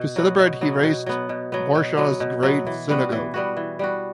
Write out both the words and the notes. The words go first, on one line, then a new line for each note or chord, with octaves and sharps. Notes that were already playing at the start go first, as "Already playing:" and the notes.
To celebrate he razed Warsaw's Great Synagogue.
Already playing: B2
F#3 B3 F#4
B2
F#3 B3 F#4
B2
F#3 B3
B2
F#3 B3
B2
F#3 B3
B2
F#3 B3
E3
G3 B3 F#4
E3
G3 B3 F#4
E3
G3 B3 F#4